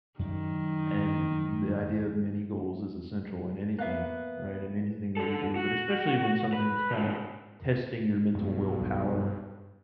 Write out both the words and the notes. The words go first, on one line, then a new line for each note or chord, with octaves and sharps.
and the idea of many goals is essential in anything, right, in anything that we do, but especially when something's kind of testing your mental willpower
F#2 D#3 F#3 G3
A#3 B3 E5 F5 F#6
D3 A4
F#4
B4
B2 D3
B1 G2